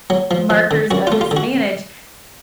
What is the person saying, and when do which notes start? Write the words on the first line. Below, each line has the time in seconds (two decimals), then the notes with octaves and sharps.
markers of disadvantage,
0.10 F#3
0.31 F3
0.50 F3
0.71 D3
0.91 F#2 F#4
1.07 A3 F4
1.21 F4
1.31 D3
1.37 F#4